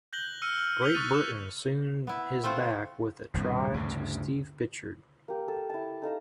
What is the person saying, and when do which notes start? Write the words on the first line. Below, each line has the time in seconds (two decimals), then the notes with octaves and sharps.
Great Britain soon his back with a try to Steve Pitchford.
0.13 F#6 G6 A#6 F#7 G7
0.42 E6 F6 C#7 D#7
0.60 F6
0.82 G6 B6 C#7 D#7 F7 G7
0.94 C#6 D#6 F#6 A6 D#7
1.10 C#6 E7
2.07 B3 E4
2.43 A3 C4 F4 C5 F#5
3.34 D#1 C2 G2 B2
3.74 D2 G2 C#3
5.28 A#3 G4
5.48 A4
5.70 E4 A5
6.02 D#4 A4 F5 A#5